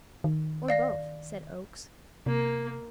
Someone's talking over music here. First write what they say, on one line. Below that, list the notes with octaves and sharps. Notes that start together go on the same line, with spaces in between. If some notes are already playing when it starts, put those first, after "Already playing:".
"Or both," said Oakes.
D#3
D5 F5 A#6
C3 A#3